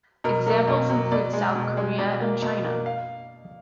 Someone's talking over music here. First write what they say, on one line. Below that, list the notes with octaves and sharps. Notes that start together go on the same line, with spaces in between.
Examples include South Korea and China.
B2 A#4
F#3 A#3
B2
F#3 A#3
B2 D5
G#3
B2
G#3
B2 D5
A#3
B2
A#3
F5